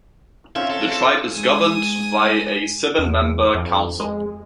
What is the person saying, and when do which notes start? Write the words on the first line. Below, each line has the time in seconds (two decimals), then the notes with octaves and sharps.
The tribe is governed by a seven-member council.
0.56 C4 C#4 F4 E5
0.70 A4
1.34 G#2 G#3 G#4 G#5 D#6
2.98 E2
3.55 F2
4.00 G#3